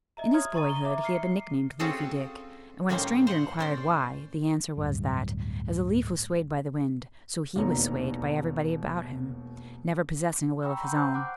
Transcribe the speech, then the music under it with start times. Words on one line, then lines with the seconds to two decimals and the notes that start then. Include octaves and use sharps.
In his boyhood he had been nicknamed Leafy Dick, and when a stranger inquired why, the answer was that, as a leaf was swayed by the wind, so he was swayed by everybody about him, never possessing a will of his own.
0.17 D#5 E5 A#5
0.34 C#5 C6 D#6 F6 G#6
0.54 A#5 C6 C#6 D#6 A6 D#7
0.69 G7
0.85 E5 A#5 D6
1.04 F6 C7 C#7
1.79 C4 C#4 F4 F#4 G#4 A4
2.89 A2 G3 A#3 C#4 D#4 C5
3.27 C5 F#5
3.59 C#4 C5 D5
4.77 D1 G2
7.56 E1 D#2 B2 D#3 C#5 A#5
10.63 G5 A#5 B5 C#6 E6
10.83 F#5 C6 D#6 G6
10.96 C5
11.14 F#5 D6 F#6